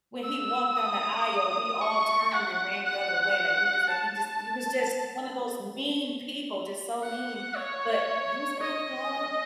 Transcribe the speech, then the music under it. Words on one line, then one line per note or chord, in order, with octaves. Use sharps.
when he walked on the aisle, we all turned and ran the other way, like, we just like he just he was just one of those mean people, just so mean, but, he was in the club,
E6
D#6
C#6
F#5
F#5
A5
F#5
C#5
D#5